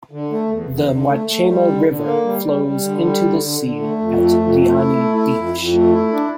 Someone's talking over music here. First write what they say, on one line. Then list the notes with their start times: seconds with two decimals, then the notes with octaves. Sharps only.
The Mwachema River flows into the sea at Diani Beach.
0.11 D3
0.30 A3
0.50 E2
0.69 E2
0.89 D3
1.09 A3
1.27 A3
1.47 G3
1.67 D3
1.85 D3
2.04 A#3
2.24 G3
2.43 G3
2.63 G3
2.82 D3
3.02 G3
3.21 D3
3.41 D3
3.60 D3
3.79 A3
3.99 F2
4.18 A3
4.38 F2
4.56 A3
4.76 E4
4.95 A3
5.15 E4
5.35 F2
5.54 F2
5.72 A3
5.93 E4
6.11 D4